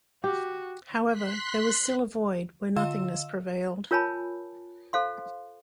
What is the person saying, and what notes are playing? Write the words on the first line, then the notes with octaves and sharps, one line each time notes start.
However, there was still a void, where nothingness prevailed.
F#4 G4
C6 F#6 B6
D3 F4 D#5 F5 E6 E7
F4 A#4 C#5 G#5 A5 B5
A4 C5 F5 C6